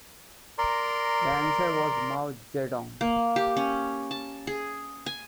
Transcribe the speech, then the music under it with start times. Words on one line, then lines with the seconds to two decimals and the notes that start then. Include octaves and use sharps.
The answer was Mao Zedong.
0.58 A#4 D5 A#5 C6
3.01 A#3
3.36 G4
3.57 C#4
4.11 A5
4.47 G#4
5.06 G#5